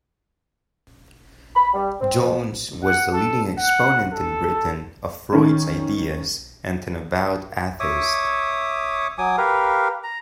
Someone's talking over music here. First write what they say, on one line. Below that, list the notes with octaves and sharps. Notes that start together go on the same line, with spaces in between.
Jones was the leading exponent in Britain of Freud's ideas and an avowed atheist.
B5
G3
C4
F2
F#5
A4
F#5
A4
D#3 C#4
C#5 E5 D6 D#6
F#3 G#5 D6 D#6
G4 A#4 B4 F5
A#5